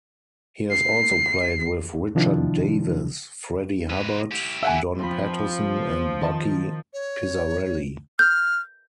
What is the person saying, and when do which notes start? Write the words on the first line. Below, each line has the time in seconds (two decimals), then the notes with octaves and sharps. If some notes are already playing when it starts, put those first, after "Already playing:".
He has also played with Richard Davis, Freddie Hubbard, Don Patterson, and Bucky Pizzarelli.
0.71 C7
2.15 C3 D#3 F3 D4 E4
3.90 G#3 B4
4.31 E4 G4
4.63 E5 F#5 G#5
4.99 F3 C4 C5 B5
6.21 D#3 A5 A6
6.94 C#5
8.19 F6 G6